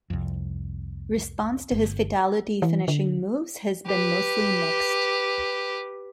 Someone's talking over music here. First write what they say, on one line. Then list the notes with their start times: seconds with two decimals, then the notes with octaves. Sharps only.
Response to his Fatality finishing moves has been mostly mixed.
0.10 C2 F2
1.71 G1
2.62 E3
2.88 D3
3.87 G4 B4